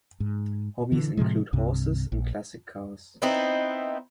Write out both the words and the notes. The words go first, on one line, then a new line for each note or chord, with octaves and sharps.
Hobbies include horses and classic cars.
G#2
D3 E3
A2 C3 F3 G#3
C2 G2 C3
A#1
B3 C4 D#4 E4